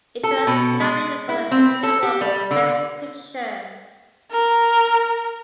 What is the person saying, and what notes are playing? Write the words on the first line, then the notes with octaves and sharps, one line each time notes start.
It was nominated for the Academy Award for Best Picture.
A4
B2
G#3
E4
C4
A4
G4
G3
D3
A#4